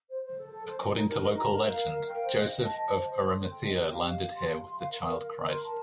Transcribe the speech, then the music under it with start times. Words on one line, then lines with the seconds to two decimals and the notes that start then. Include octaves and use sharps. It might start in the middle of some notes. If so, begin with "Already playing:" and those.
According to local legend, Joseph of Arimathea landed here with the child Christ.
0.09 C5
0.22 C5
0.37 A4
0.51 A4
0.66 C5
0.79 D#5
0.94 D#4
1.07 A#4
1.22 D#5
1.36 A#5
1.50 A#4
1.65 F5
1.79 A#4
1.93 F5
2.08 G5
2.22 C5
2.36 D#5
2.50 D#5
2.64 A5
2.78 A5
2.92 C5
3.06 C5
3.22 C6
3.35 A4
3.49 G5
3.64 D#5
3.78 G4
3.92 F5
4.07 F5
4.21 G4
4.34 C6
4.49 F5
4.63 C6
4.78 F5
4.91 A#4
5.06 A#4
5.20 A#4
5.34 A#4
5.49 C6
5.63 A5